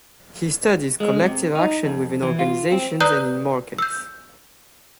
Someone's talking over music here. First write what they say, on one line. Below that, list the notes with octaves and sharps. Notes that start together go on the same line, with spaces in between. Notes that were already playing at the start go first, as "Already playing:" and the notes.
He studies collective action within organizations and in markets.
G#3
C3
D#4
F2
E3
F4
C4
B4 D5 A#5 D#6 F#6 G6
E6 G6